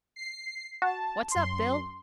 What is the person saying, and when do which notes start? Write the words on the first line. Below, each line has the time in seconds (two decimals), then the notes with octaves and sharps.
"What's up, Bill?"
0.16 C7
0.82 F#4 A5
1.31 F#2 C6